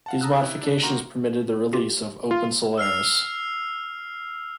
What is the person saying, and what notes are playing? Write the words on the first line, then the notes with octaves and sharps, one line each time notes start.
These modifications permitted the release of OpenSolaris.
F5 F#5 A5
A5 A#5 D#6 E6 F#6
C3 D#4 E4
D4
D#3 A#3 F#4 A#5 C6
F4 G4
F4
E6 F6 C7 F7